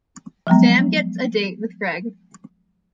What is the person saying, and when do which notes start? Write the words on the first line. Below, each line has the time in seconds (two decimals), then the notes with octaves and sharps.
Sam gets a date with Greg.
0.47 F3 F#3 G#3 B3